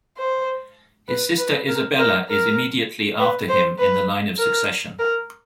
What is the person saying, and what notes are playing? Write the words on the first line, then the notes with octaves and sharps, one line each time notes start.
His sister Isabella is immediately after him in the line of succession.
C5
B4
B4
A#4
A#4
A#4
B4
C5
B4
A#4
A#4